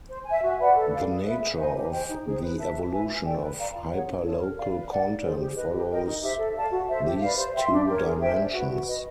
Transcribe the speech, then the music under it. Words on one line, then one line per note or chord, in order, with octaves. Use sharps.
The nature of the evolution of hyperlocal content follows these two dimensions.
C5
E5 G#5
F#4
B4 D5 F#5
A4
D5 F5
G#4
B4 E5
G#4
C5 D#5 G#5
G4
C5 D#5 G5
D#4
G#4 C5
B4
E5 A5
F#4
B4 E5 G#5
F4
A4 D5 G5
B4
D5 F5 A#5
F4
G#4 C#5 F#5
C#4
F4 A4 C#5
A#4
D5 F5
B4
D5 F#5
D#4
G#4 C5
G4
B4 D#5
G4
A#4 D#5 G5
D#4
G4 C5 E5
A4
D5 F5 A5
F#4
A4 C5 E5
G4
B4 D5 F5
C5
E5 G5 C6
D4
G4 A#4 C#5
G#4
C5 E5 G5
D4
F#4 B4
F#4
B4 D#5